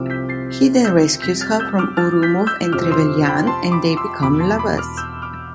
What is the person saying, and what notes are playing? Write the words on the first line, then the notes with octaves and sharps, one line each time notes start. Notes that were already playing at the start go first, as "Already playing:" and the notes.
He then rescues her from Ourumov and Trevelyan, and they become lovers.
Already playing: C2 C3 F3 C4 D6 E6 F6
G6 B6
A6 C7
E6 G6
F2 C3 G3 G6 B6
F6 A6
E6 G6
D6 F6
F6 A6
G6 B6
E6 G6
F2 C3 F3 C4 D6 F6
C6 E6
G5 B5
A5 C6
B5 D6
C6 E6
E1 E2 B2 B5 D6
A5 C6
B5 D6
D6 F6
E6 G6
D6 F6